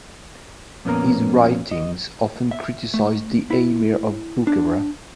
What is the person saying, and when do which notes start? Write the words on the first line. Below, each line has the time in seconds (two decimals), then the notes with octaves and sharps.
His writings often criticized the Amir of Bukhara.
0.85 F2 A#2 B3 C#4 A#4 A#5
1.71 D#5
2.51 E5
2.94 A3
3.51 E4
4.47 D4